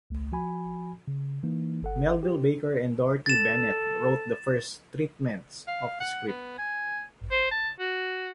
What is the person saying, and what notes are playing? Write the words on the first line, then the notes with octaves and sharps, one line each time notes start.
Melville Baker and Dorothy Bennett wrote the first treatments of the script.
C#2 A3
F3 F#4 G#5 B5
C#3
E3 A#3 D#4
G1 A4 F#5
G4
A4 A6 E7
F5
F#5
B3
G#5
C5
A5
F#4